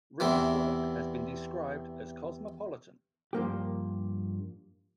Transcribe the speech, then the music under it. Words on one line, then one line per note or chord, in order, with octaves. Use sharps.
Rie's work has been described as cosmopolitan.
E2 C3 E3
G2 F3 A#3 G4